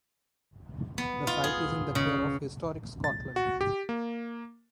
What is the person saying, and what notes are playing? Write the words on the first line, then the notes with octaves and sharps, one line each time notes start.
The site is in the care of Historic Scotland.
B3
F4
G#4
C#3
A6
F#4
G4
A#3